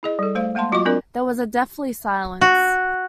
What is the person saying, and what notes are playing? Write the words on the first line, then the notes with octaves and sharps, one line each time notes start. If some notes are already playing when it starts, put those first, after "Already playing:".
There was a deathly silence.
E4 G#4 D#5
G3 A4
A3 C5 F5
G#3 A#3 F5 A5 C6
F#3 F4 F#4 D#5 C#6 D6
C4 D4 F4 A#4 D5
F#4